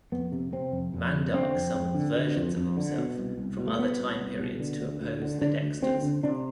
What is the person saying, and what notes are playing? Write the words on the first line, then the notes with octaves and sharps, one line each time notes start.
Mandark summons versions of himself from other time periods to oppose the Dexters.
F2 B3
C3
C3 C4
F2
F2
C3
D3 C4
F2
F2
D3
D3
F2
F2
D3
B2
C2
C2
B2
A3
B2 B3
C2
C2
B2
D3
D2
D2
D3
D3 D4
D2
D2 C4
D3
C3 D4